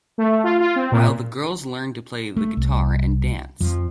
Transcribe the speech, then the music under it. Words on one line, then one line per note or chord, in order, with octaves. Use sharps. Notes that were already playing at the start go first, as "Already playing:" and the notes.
While the girls learned to play the guitar and dance.
A3
F4
F4
C4
A#2
A3
C2
F2 F3